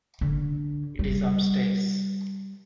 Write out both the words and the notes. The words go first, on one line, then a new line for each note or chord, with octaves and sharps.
It is upstairs.
D3
G3